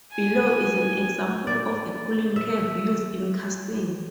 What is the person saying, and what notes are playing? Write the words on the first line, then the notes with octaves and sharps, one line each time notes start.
Below is an example of a cooling curve used in castings.
G#5
D5
E5